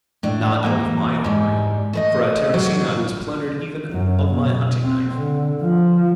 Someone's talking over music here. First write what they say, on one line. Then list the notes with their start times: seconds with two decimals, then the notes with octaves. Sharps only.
"Not out of my armory, for at Terracina I was plundered even of my hunting-knife."
0.23 A2 D4
0.64 E3 A#3
1.24 G#2 G3
1.93 A3 B4 D#5
2.54 F#3 G3
3.90 F#2
4.34 B2
4.83 C4
5.14 D3
5.62 F3